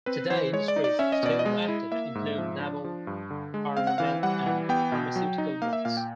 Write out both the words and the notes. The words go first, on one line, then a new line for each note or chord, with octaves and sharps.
Today industries still active include naval, armament and pharmaceutical ones.
C4 B4
E3 C5
G#3 C#5
D5
D#4
D5
C#4 E5
D#5
B2 D5
D#5
G#3
E4
A#3 E5
G#2
F3
D4
F3
G2
D3
G#3
C4 F5
F#5
E3 F5
G3 F#5
E3
B3 G5
B2
F#3
D#4
A#3 F5
E5
A#2 F5
G5